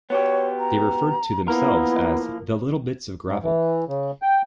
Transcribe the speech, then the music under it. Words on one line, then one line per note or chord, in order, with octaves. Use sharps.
They referred to themselves as "The Little Bits of Gravel".
B3 F#4 G4 C#5
A#5
F3 A#3 B3 E4 A#4
G#2
E3
C#3
G5